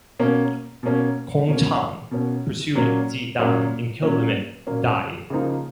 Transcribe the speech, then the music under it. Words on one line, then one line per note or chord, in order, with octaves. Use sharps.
Kong Chang pursued Ji Dan and killed him at Dai.
B2 A#3 C#4
B2 A#3 C#4
B2 A#3 C#4
B2 A#3 C#4
A#2 F#3 A#3 C#4
A#2 F#3 A#3 C#4
A#2 F#3 A#3 C#4
A#2 F#3 A#3 C#4
C#3 F3 A#3 D#4